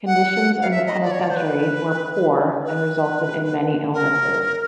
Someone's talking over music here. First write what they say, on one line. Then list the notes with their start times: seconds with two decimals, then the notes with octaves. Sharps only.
Conditions in the penitentiary were poor and resulted in many illnesses.
0.06 F#5
0.61 F5
0.71 E5
0.86 D#5
1.03 D5
1.11 C#5
1.19 D5
1.30 C5
1.36 B4
2.65 B4
3.94 A#4